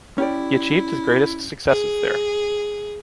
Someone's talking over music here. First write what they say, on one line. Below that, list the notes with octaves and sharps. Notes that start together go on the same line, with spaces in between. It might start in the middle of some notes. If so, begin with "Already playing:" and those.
He achieved his greatest successes there.
C#4 E4 G4 D5
G#4